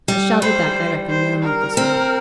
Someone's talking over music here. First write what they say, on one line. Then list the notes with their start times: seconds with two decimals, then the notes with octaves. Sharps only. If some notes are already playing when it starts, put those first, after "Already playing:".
I shall be back, I reckon, in a month or so.'
0.08 G3
0.41 G3 C5
1.09 C5
1.43 A#4
1.77 C4